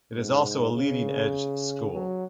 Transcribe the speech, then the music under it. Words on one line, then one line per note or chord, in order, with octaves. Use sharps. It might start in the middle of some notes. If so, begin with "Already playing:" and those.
It is also a Leading Edge school.
G#2
C#3
F#3